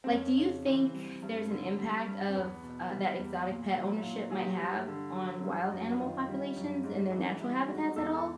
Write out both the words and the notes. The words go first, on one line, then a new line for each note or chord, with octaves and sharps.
like, do you think there's an impact of, uh, that exotic pet ownership might have on wild animal populations and their natural habitats at all?
C4
F2 C#4
C#3
E3 C4
G3
G2
D3
G3
G2
C4
E2 B3
B2
G3
E2
A#2
F#3
E4
A#2 F4
F#3 G#4
G4
F#4
G2 G4
D3
F#3
G2
F#2 F#4
D#3 F4
G3
F#2
G#2
E3
G3 E4
G#2 F#4
E2 A4
A4